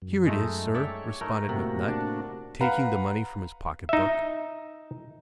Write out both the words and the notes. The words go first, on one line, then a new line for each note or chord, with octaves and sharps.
"Here it is, sir," responded McNutt, taking the money from his pocket-book.
F#2
G#3 A3 D#4
C#5 D5 E5 G5
A3 D#4 A#4
A2 C3 A#3 F#4
D4
B4 F5 F#5 A#5 B5
D#4 E5